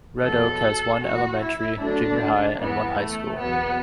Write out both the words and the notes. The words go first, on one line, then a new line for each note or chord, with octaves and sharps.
Red Oak has one elementary, junior high, and one high school.
E2 B2 F#3 A4
A2 E3 F#4
E4
D2 D3 F#3 D4
E2 E3 B3
A3
E2 B2 F#3 B3